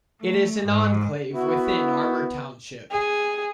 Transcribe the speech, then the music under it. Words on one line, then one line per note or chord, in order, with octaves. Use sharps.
It is an enclave within Armour Township.
A3
G#2
B3 E4 F#4
G#4